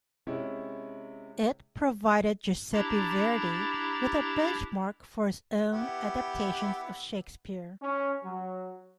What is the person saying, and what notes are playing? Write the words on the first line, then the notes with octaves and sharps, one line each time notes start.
It provided Giuseppe Verdi with a benchmark for his own adaptations of Shakespeare.
C3 G#3 C#4 E4
D4 E4 G4 A#5 A6
B3 E4 G4
C#4
F#3